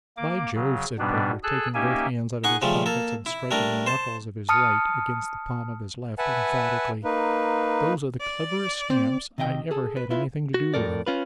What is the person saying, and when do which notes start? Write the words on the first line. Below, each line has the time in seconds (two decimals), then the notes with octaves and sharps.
'By Jove!' said Perker, taking both hands out of his pockets, and striking the knuckles of his right against the palm of his left, emphatically, 'those are the cleverest scamps I ever had anything to do with!'
0.17 A#3 D6
0.55 C#3 F#3
0.98 G#2 B2 G3 B3 D4
1.43 G#4 A4 E6 F#6
1.74 A#3 C#4 D#4 G4 E5 G#5
2.44 D#4 G#4 F#5 C#6
2.62 C#3 F3 G3 A3
2.86 A#3 A4
3.26 E4
3.51 G3 A3 D4 A#4
3.86 C5 A5
4.49 A5 D#6 F6 C#7
6.18 B4 E5 F#5 G#5 A5
7.04 A#3 D#4 B4
8.20 D5
8.90 C4
9.38 C3 D#3 D#5 F5 G5
9.71 G#4 A4
9.97 B4
10.11 E4 F4 B4
10.54 F#4
10.74 F2 A2 C#3 A4 A#4 D5
11.07 C#4 F4 B4